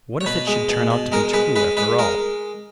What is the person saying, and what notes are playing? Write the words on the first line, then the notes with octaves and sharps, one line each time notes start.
What if it should turn out to be true after all!
C#5
B2 B4
G#3
B2
B2
G#3 A#4
G#3 B4
G#3 B4
G#3 B4
G#3 A#4